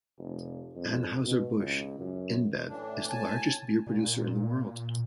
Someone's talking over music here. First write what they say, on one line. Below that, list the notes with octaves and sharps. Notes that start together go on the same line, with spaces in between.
Anheuser-Busch InBev is the largest beer producer in the world.
F1
F2
B2
C#2
F#2
A2 E3 D4
G#5 A5
A#2